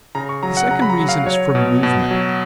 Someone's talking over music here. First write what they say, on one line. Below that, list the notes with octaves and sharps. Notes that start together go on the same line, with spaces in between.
The second reason is from movement.
C#3 A#5
C#6
F#3 A#5
F#5
C#3 A#5
B5
A#5
F#3
F5
F#3 C#5
B2
B2
F#3